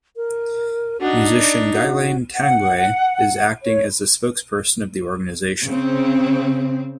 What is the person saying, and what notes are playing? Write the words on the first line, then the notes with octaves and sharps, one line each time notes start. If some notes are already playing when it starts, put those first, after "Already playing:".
Musician Guylaine Tanguay is acting as the spokesperson of the organization.
A#4
D4 D#4 F#4
D5
F#4
F#5
C#5
C#3 C4